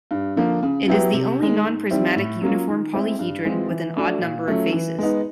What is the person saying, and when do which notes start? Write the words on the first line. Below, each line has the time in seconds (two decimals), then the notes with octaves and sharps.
It is the only non-prismatic uniform polyhedron with an odd number of faces.
0.11 G2
0.36 D3 F3 A#3
0.63 C#3
0.88 F#3 B3 E4 G4
1.14 C3
1.39 D#3 G#3
1.64 G#2
1.90 D#3 G3 C4 E4
2.16 A2
2.41 F#3 A#3 C#4 F4
2.68 D#3
2.93 G#3 C4 E4
3.19 G2
3.45 E3 G#3 C4 F4
3.70 E3
3.96 A3 D4 F#4
4.21 A#2
4.47 F#3 A3 C#4 F4
4.73 E3
4.98 G#3 B3 D#4